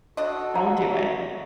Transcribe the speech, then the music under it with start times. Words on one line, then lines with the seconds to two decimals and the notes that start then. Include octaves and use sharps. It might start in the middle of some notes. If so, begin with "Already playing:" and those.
Don't do it.
0.17 D4 F#4 A4 D#5
0.56 A#5